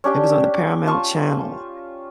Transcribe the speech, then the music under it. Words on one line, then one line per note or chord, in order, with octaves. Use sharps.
It was on the Paramount Channel,
C#4 D4 G4 G5
F4 A5 C#6